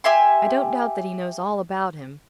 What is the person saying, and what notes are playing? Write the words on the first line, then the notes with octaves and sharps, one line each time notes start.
I don't doubt that he knows all about him.
G4 E5 G#5 C6